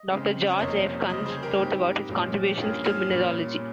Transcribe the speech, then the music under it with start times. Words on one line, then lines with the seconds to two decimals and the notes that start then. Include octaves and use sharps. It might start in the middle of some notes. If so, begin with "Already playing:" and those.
Doctor George F. Kunz wrote about his contributions to mineralogy.
Already playing: D#5
0.10 C#3 G#3 C4
0.52 C#5
0.59 F2 C3 F3 A#3 C#4 C5 D#5
1.09 C#3 G3 C#4 C5 D#5
1.26 G#4 C5
1.43 G4 A#4
1.59 G#2 G3 C4
2.09 A#2 F3 G#3 C#4
2.48 G4
2.58 G2 F3 A#3 C#4 F4 G#4
2.84 F4 G#4
3.09 A#2 G3 A#3 C#4